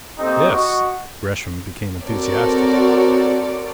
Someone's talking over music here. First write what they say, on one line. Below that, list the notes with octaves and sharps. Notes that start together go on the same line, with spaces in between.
"Yes!" Gresham became enthusiastic.
A#3 C4 D#4 G4 A4 D#6
F#4 D#5 C#6
C4 F#4 A4 A#4 C#5 D5